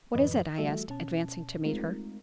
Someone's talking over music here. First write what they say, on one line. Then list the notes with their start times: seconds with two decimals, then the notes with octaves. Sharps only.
"What is it?" I asked, advancing to meet her.
0.15 F#2 A2 D#3 F3 B4 D#5
0.58 E3 G3 A3 F#4 A4 E5
0.89 B2 C#4 A5
1.65 G#3 A3 C4 D#4 F4 A#4